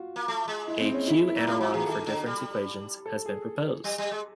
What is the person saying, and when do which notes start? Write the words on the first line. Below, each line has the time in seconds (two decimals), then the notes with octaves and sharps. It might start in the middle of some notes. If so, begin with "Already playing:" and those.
A q-analogue for difference equations has been proposed.
Already playing: F4 F#4
0.16 A#3
0.28 A3
0.48 G#3
0.68 E4
0.80 C4
0.94 C#4
1.07 E4
1.28 E4
1.36 F#3
1.47 G3 F4
1.59 F#3 F#4
1.73 E3 G#4
1.86 D#3 A4
2.06 D3
2.26 G3
3.06 A4
3.26 G#4
3.84 G3
3.98 G3
4.11 G#3